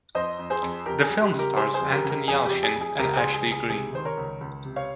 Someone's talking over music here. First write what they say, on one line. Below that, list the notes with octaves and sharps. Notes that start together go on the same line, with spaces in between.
The film stars Anton Yelchin and Ashley Greene.
F2 C5 D#5
F2
G#4 C5
F2
F2 G4 A#4
G#4
G3
G4
C#3
G4 A#4
G3 G#4 C5
G#4 C5
F2
G4 A#4
C#3
G4 A#4
F2 G#4
G4
F2
G#4
F2
G#4
C#2 G4 A#4
G#4 C5
C#2
G#4
C#2
G#4
C3 G#4
D#3 C5
A#4 C#5
C#2
C#2
C3
C#5 F5